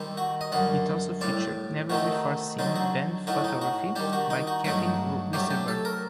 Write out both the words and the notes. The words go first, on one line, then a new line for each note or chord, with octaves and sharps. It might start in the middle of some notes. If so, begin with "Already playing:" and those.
It also featured never-before-seen band photography by Kevin Westerberg.
Already playing: D#3 G3 C4
F#4
D#5
F#2 D3 G3 F#5
A2 G3 C4 D5
C3 D#3 A3 C4 D#4 F#4
D3 F#3 C4 D#4
F#4
A2 A3 D#4 F#4
D#4
F#4
D#3 G3 D4 G4
F#4
D#4
F#4
G2 F#3 A3 D#4 F#4
C3 F#3 A3 D4 G4
G4
A4
A#4